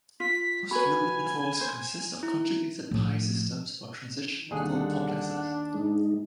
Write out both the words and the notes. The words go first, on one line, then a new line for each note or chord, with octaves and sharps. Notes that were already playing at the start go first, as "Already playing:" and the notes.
Most luminophores consist of conjugated pi systems or transition metal complexes.
F4 B6
F#4 B4 G#5 B5
C5
E4
A2 F3
D#2 D3 G3 D4 G#4 D#5 F#5
G#2 G#3 D#4